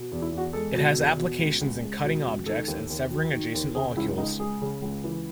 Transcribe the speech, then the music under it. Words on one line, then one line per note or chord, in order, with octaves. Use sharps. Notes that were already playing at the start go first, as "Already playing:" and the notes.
It has applications in cutting objects and severing adjacent molecules.
Already playing: B2
E2
E4
E2
F#4
G#3 A4
B2
E2
B2
C#2
C#2
G#3
B2
C#2
D#3 A4
D#2
D#2
F#3
D#3
D#2
C#3 G#4
C#2 E4
C#2 D#4
G#3 G#4
C#3
C#2
E3